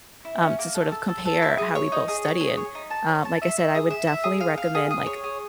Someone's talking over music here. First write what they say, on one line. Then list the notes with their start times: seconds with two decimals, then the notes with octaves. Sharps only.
um, to sort of compare how we both study, and, um, like I said, I would definitely recommend, like
0.25 E4
0.42 C#4
0.59 A#3
0.75 A4
0.92 A4
1.09 A4
1.25 A4
1.42 E4
1.58 G#4
1.75 C#5
1.92 D#4
2.08 G#4
2.25 C#5
2.41 G#4
2.57 C#5
2.75 D#4
2.91 A5
3.08 C#5
3.25 A5
3.42 E5
3.58 E5
3.75 G#4
3.90 E5
4.07 E5
4.24 G#4
4.41 F5
4.58 F5
4.75 G#4
4.91 G#4
5.07 C#5
5.24 G#4